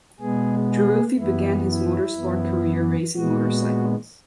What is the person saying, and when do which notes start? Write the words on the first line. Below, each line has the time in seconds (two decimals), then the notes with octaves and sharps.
Taruffi began his motorsport career racing motorcycles.
0.20 B2 G#3 B3 G#4
0.69 G#4
1.18 F#2 E3 B3 E4
1.69 E4
2.17 F#2 E3 B3
3.16 A#2 G#3 B3 F#4